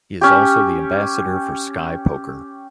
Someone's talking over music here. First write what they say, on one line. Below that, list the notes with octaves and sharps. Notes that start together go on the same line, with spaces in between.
He is also the Ambassador for Sky Poker.
C#4 G4